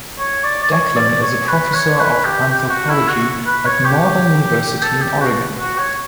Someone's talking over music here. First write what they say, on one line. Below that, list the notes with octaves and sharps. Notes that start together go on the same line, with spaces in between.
Declan is a Professor of Anthropology at Northern University in Oregon.
C#5
D5
D5
C#5
D5
C#5
B4
C#5
B4
G4
G4
F#4
E4
F#4
B4
C#5
G4
A4
G4
F#4
F#4
C#5